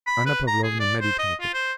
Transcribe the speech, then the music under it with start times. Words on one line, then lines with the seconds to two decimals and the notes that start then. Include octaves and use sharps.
Anna Pavlovna meditated.
0.07 B5
0.26 B4
0.47 A#5
0.63 G#4
0.80 D5
1.01 C5
1.19 D#5
1.41 F4
1.53 C5